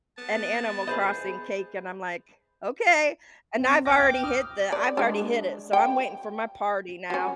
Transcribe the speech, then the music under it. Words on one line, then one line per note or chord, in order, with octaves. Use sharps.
an animal crossing cake," and I'm like, "Okay," and I've already hit the I've already hit it, so I'm waiting for my party now.
B3 A5
G#4 C5 D#5 B5 G6
C4
G5 D6 A#6
F6
D#6 F6
D5
G#3 D4
G5
F#3 C#4